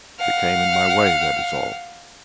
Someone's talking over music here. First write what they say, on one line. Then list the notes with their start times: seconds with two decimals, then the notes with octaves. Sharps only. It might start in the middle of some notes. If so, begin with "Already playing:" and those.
She came in my way, that is all.
0.19 F5 F#5